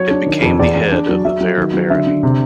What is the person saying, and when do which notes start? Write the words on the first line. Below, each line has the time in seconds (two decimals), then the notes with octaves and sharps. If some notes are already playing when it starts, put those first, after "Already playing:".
It became the head of the Vere barony.
Already playing: F#3 C#5
0.11 D4
0.26 D#3
0.43 F2
0.59 E2 D5
0.76 E2
0.92 D4
1.09 F#3
1.25 F#3 E5
1.41 F#3
1.58 D#3
1.74 F#3
1.90 D3 E5
2.07 D3
2.23 C3